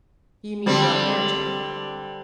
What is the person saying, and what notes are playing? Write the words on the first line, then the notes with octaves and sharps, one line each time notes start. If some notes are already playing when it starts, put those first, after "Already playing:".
"You mean about Merton?"
D3 G3 C4